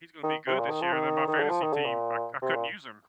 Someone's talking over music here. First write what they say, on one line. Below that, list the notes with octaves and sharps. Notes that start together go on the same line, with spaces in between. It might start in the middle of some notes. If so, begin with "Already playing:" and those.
"He's gonna be good this year," and then my fantasy team, I I couldn't use him.
D#3
C3
A#2
D#3
F3
D#3
D#3
D3
F3
D#3
D3
A#2
C3
A#2